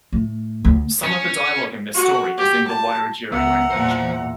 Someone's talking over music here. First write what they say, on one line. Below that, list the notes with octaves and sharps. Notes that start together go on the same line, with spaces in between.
Some of the dialogue in this story is in the Wiradjuri language.
A2
D2
C#4
F#4
G4
A5
C#2 B3 E5 F#5 A#5
E2 A#2 C5 A5